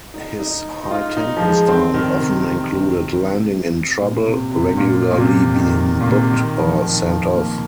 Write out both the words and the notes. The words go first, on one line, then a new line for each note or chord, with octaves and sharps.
His high-tempo style often included landing in trouble, regularly being booked or sent off.
D#4
D#4
D#4
F4
D#4
F3
G#3
C4
D#3
C3
A#2
C3
C3
A#2
A#2
C3
D#3
A#2
C3
D#3
F3
D#3
F3
A#3